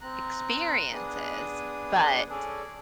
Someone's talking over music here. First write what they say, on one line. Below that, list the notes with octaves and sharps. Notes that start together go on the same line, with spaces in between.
experiences, but
C4 A#5 F#6
B3 D4 G#4 D#6
C#4 G#4 A4 D5